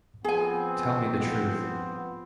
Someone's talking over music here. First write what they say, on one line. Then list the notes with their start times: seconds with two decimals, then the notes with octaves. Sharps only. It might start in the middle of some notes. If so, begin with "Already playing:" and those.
Tell me the truth.
0.24 F3 B3 C4 G#4 G#5